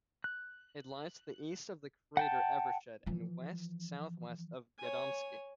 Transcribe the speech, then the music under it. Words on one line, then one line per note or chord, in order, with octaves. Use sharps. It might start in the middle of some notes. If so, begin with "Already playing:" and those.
It lies to the east of the crater Evershed, and west-southwest of Gadomski.
F#6
F#5 G5 A5
E3 F3
C#5 G#5